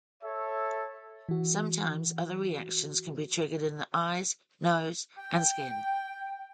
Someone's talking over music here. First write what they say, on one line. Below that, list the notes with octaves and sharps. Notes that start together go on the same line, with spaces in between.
Sometimes other reactions can be triggered in the eyes, nose, and skin.
A4 C#5 E5
E3 F#4
G5